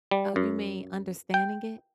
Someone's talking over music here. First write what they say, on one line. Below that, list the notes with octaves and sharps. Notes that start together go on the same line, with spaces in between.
Oh, you mean understanding it?
G3
F#2
G5